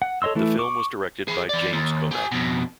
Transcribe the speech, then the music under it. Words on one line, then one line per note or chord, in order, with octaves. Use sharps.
The film was directed by James Komack.
F#5
A4 C#5 D#5 C6 E6
E3 A3 E4
C#6 D6
E3 G#4
E3 D5
D#2
G4 G#5
F2 B2